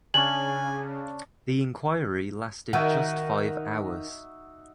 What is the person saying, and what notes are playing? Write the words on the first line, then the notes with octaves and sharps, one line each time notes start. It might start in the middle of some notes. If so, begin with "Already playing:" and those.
The enquiry lasted just five hours.
C#3 C#4 D4 G#5 F#7
D#3 D#4 F#4 E5 F#5